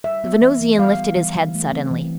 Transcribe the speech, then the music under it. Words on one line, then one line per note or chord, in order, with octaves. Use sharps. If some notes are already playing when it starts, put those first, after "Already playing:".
The Venusian lifted his head suddenly.
G3 E5
B3
E3
E3
G3 F5
B3
E3
E3
A3
C4
E3